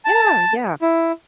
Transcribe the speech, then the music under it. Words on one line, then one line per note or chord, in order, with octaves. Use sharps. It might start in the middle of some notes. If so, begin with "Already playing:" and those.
Yeah, yeah,
A5
E4